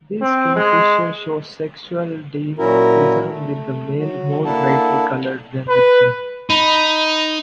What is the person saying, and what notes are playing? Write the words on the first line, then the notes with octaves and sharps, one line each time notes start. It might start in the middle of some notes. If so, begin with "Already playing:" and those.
This kingfisher shows sexual dimorphism, with the male more brightly coloured than the female.
C4
G#3
A#2 F#3 C#4 E4 F#4 A#4
A3
F#3 F#4
A#3 D4 E4 A4 F#5 A5
B4
D#4 B5